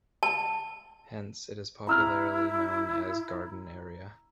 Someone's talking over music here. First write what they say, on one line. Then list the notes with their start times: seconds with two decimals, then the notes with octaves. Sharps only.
Hence it is popularly known as 'Garden' area.
0.23 A5
1.87 E4 A#5 E6 F6